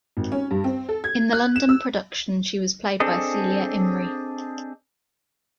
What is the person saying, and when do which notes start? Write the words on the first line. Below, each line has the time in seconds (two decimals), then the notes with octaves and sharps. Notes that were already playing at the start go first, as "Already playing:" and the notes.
In the London production she was played by Celia Imrie.
0.17 G#1
0.32 C#4
0.51 G2
0.64 C4
0.89 A4
1.04 G#6
1.33 F#6
1.56 E7
1.69 E6
3.00 C4 D4 G#4 A4 D#5